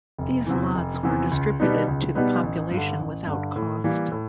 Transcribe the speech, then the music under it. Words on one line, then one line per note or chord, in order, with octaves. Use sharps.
These lots were distributed to the population without cost.
F1
E2 C3 E3
F1
E2 C3 E3
C#2
B2 G3 B3 D#4
C#2
B2 G3 B3 D#4
A1
G2
D3
A1
G2 D3
A2
E3 G3 A#3
A2